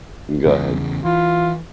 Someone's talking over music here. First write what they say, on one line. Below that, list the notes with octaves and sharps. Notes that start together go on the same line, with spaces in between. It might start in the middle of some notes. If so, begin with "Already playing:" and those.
Go ahead.
E2 C#3
E3 F4